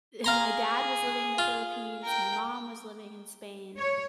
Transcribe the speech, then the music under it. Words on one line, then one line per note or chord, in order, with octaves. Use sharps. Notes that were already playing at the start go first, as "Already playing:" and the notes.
and my dad was living in the Philippines, my mom was living in Spain,
G#4 F5 A#5 C6
F4
A#4 G5
C#5